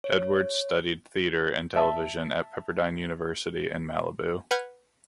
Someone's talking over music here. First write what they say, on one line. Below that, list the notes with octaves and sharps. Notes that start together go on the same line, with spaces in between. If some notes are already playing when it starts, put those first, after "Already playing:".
Edwards studied theatre and television at Pepperdine University in Malibu.
C#5
E5 A5
B4 F#5 F6 G6 G#6